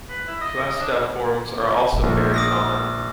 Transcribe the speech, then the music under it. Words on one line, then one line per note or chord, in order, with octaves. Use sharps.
Cuesta forms are also very common.
B4
E4
D#5
D#5
D4
A#1
D6 D#6 A#6